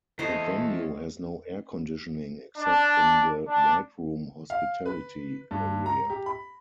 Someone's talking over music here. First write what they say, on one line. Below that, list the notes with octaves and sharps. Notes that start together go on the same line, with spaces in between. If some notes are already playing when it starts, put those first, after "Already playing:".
The venue has no air-conditioning except in the "Whiteroom" hospitality area.
E2 A4 C5 C#5 D#5
D4
D4
F5
B4
G2
A#5
G4
B5